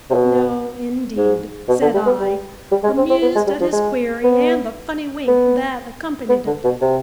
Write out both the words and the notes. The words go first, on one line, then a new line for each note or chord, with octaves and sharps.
"No, indeed," said I, amused at his query and the funny wink that accompanied it.
C3
B2
G#2
B2
D3
G3
B3
G3
G3
G#3
C4
C4
B3
G#3
G3
F3
G#3
B3
B3
B3
D3
B2
C3